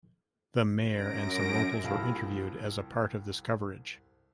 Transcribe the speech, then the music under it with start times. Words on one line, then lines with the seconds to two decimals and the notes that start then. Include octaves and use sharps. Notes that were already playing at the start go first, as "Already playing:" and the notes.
The mayor and some locals were interviewed as a part of this coverage.
0.85 F#2 A#6 D7
1.84 C2 F3 G4 A4 F5 B5